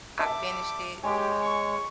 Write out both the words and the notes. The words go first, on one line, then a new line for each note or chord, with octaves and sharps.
I finished it,
G3 A4 E5 A5 D6
G#3 G4 C#5 G#5 D6
C#6